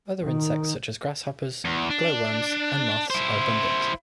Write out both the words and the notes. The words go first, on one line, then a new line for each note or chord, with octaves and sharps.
Other insects such as grasshoppers, glow-worms and moths are abundant.
D#3
E2
D4
E4 C5